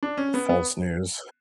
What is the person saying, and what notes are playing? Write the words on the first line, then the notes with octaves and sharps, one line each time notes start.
false news.
D4
C#4
B3
B3